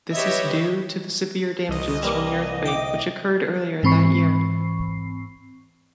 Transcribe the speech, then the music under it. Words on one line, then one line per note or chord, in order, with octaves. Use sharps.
This is due to severe damages from the earthquake which occurred earlier that year.
G4 B4 C#5 D#5 E5
C2 D#5
E3 G3 A#3
G5 D6
G#2 E3 C4 B5 C#6 C7